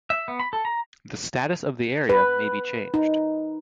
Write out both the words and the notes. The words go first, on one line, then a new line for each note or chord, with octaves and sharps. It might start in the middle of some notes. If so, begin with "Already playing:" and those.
The status of the area may be changed.
E5
B3
B5
A4
A#5
B4
D#4